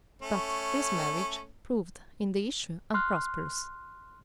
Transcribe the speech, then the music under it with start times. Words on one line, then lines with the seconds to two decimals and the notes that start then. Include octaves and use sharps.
But this marriage proved in the issue unprosperous.
0.22 A3 C#4
2.94 C6 F6 F#6